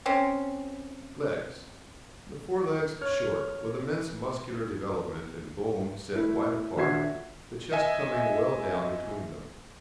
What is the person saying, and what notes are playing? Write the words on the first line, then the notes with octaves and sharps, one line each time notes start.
LEGS--The fore-legs short, with immense muscular development and bone, set wide apart, the chest coming well down between them.
C4 C#4
C#5 F6
A3 E4
D#1 D4 F#4 E5 G#6 C7
D#5 E5 G#5